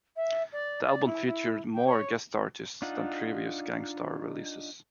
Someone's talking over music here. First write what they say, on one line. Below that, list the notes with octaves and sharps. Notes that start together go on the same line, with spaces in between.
The album features more guest artists than previous Gang Starr releases.
E5
D5
D5
E4
E4
G5
C#5
D4 D#4 F4 F#5